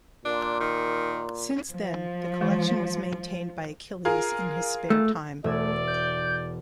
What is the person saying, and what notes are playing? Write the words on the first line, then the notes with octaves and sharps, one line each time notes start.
Since then the Collection was maintained by Achilles in his spare time.
A#2 D4
D#3
F3
E3 G#3
F4 G#4 A#4
A3
E1 A3 D5 E6 G#6
G6